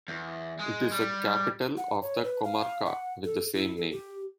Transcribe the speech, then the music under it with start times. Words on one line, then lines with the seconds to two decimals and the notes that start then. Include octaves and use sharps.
It is the capital of the comarca with the same name.
0.08 E2
0.59 G#3
0.91 G3
1.77 F#5
2.02 C#5
2.24 B4
2.44 F5
2.86 F#5
3.24 A4
3.53 E4
3.77 A4
3.91 G4